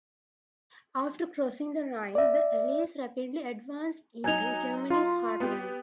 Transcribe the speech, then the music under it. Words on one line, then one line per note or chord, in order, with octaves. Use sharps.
After crossing the Rhine, the Allies rapidly advanced into Germany's heartland.
D5 E5
F#3 D#4 G#5 G#6 F7
F4 C6
B3 G4